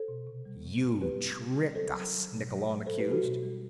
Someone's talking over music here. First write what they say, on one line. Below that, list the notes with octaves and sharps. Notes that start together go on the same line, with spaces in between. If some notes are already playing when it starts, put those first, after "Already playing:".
"You tricked us!" Nikkolon accused.
Already playing: A4 C5
B2
C3
G3
C3
C3
G3 G4 B4
G3
C3
G3
F#3 A4 C5
F#3
F#3
B2
F#3
F#3
F#3 A4 C5
G4 B4
F#3
F#4 A4
B2
G3